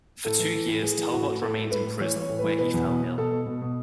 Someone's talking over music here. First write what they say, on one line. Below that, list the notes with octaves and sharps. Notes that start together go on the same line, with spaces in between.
For two years Talbot remained in prison, where he fell ill.
A2 A4
E3
E3
A2
E3 G#4
E3
A2 F#4
A2
A2 A4
A2
A2 B4
A2
E3 C#5
E3 C#5
A2
E3 B4
B2 B4
E2
B2
B2
B2 A4
B2
B2
B2